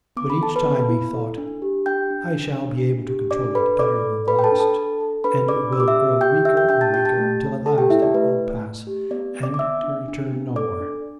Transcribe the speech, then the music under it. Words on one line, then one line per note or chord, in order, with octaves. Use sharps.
But each time he thought, 'I shall be able to control it better than the last, and it will grow weaker and weaker until at last it will pass and to return no more.'
B3 D6
B5
A4 A5
B4 B5
B3
E4
A4
D4
G4
D4 G5 G6
D4
D4
D4
D4
G4
D4 D5 D6
A4 B4 B5
A4 D5 D6
A4
A4 B4 B5
G5
A4 A5
D4
A4 A5
A4
A4
D4 B4 B5
D4 D5 D6
G4 E6
D6
E5 E6
G4
G4 G5 G6
G4 E5 E6
G5 G6
D4 G5 G6
A5 A6
G4 G5 G6
A5 A6
A3
A3
A3 A4 A5
G4 G5
E4 G4 E5
D5
A3 B4
A3
A3
G4
B3 D5
B3
D5 D6
D6
B3 E5 E6
D4
D4
B3
A4 D5 D6
D4